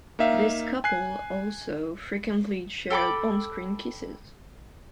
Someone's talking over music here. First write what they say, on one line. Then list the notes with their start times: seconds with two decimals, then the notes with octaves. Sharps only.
This couple also frequently shared on screen kisses.
0.19 A#3 D#4 E5 F5
0.84 G#5 F#6 C7
2.90 A4 G5 B5 D6